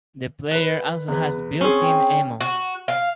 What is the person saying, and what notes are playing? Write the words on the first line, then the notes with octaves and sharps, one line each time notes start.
The player also has built-in ammo.
B4 F#6
E2 B4
C4 C#4 G#4
G5
F#4
F5